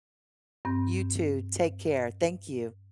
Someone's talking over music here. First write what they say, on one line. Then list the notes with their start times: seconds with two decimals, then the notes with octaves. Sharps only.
You too. Take care. Thank you.
0.65 G2 C4 G6